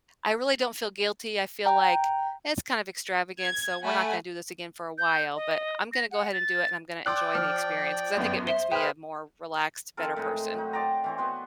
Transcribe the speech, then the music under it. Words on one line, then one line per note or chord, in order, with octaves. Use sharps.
I really don't feel guilty; I feel like, "It's kind of extravagant, so we're not gonna do this again for a while, but, I'm gonna go ahead and do it, and I'm gonna enjoy the experience," 'cause I think it makes me a more relaxed, better person,
G5 A#5
G#6
A3 F#5 G#5 B5
G6
D#5
A#6
F#5
A6
D5 G5 C6 D6 E6 F#6
F3 F6
G1 F#2 B3
C5 E5 G7
G#4 B4 C5 G5 F6
F3 C4 A4 A#4
A2 G#3 D#4
F#3 D#4
C5 D5 G5 A#5
E3 C4 C#5
B3 F#4 C5